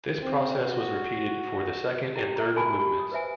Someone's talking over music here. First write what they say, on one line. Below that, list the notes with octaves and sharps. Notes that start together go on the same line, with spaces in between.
This process was repeated for the second and third movements.
C4
F#4
E4 G4 G5
E5 A#5
F#4 A#4 G#5 A5 B5
G4 B5 C#6
D#6
B4 C5 E5 G#5